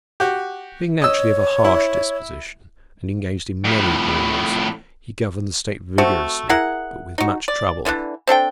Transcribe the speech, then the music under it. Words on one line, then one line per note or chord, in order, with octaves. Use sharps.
Being naturally of a harsh disposition, and engaged in many wars, he governed the state vigorously, but with much trouble.
F#4 G4
C#5 D#5 E6
E4
F2 A2
A3 C4 F#4
E4 G#4 A#4 F#5
D#4 F#4
D5
D3 E3 C#4 D4
C4 D4 A4 G5